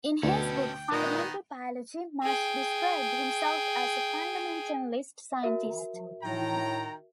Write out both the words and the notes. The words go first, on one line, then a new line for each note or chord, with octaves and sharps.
In his book "Fundamental Biology", Marsh described himself as a "fundamentalist scientist".
D2 B2 C#4 A4 G5
A#2 D#3 G#3 B3 D#4
G#4 G5
F#4 A#4 E5
A2 D#3 G5 A#5